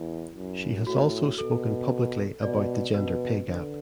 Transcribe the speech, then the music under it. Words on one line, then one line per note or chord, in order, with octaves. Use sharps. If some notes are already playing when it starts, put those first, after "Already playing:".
She has also spoken publicly about the gender pay gap.
Already playing: E2 E4
F#2
A2 F#4
B2 A4
B2 D5
B2 B4
D3